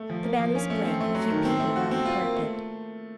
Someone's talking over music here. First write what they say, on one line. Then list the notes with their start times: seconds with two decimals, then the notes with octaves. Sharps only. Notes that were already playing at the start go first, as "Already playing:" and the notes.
The band was playing, and a few people were on the parapet.
Already playing: A3
0.10 F3
0.24 A#3
0.39 F3
0.55 C#4
0.70 A3
0.84 C4
1.00 A3
1.15 F#3
1.30 D#3
1.45 C4
1.60 A3
1.76 F#4
1.91 C4
2.05 F4
2.21 A#3
2.35 A3